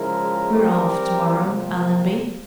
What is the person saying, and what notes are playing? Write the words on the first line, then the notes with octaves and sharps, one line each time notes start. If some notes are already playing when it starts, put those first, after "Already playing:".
"We're off to-morrow, Allenby."
Already playing: C#3 F3 G#3 E4 A#4
G3 C4 G4 A#4
C3 F3 A#3